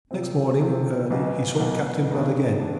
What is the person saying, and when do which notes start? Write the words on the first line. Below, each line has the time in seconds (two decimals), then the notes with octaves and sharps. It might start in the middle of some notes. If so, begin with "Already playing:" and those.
Next morning early he sought Captain Blood again.
0.11 C3 F3 C4
0.60 C3 F3 C4
1.10 B1 B2 B3
1.60 B1 B2 B3
2.10 G2 D#3 B3 D4
2.60 D#3 B3 D4